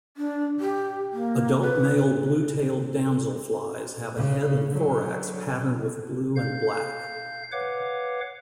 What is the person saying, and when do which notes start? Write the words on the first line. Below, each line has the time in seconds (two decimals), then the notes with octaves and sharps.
Adult male blue-tailed damselflies have a head and thorax patterned with blue and black.
0.17 D4
0.60 G4
1.13 A#3
1.61 B4
4.16 C#3
4.69 D3 F#3
6.36 F5 G6
7.52 B4 C#5 F5 F#5 D6